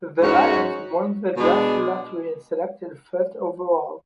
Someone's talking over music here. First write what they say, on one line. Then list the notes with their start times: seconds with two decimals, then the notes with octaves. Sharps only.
The Lions won the draft lottery and selected first overall.
0.22 G#2 G#3 C#4 F#4
1.37 B2 G#3 D4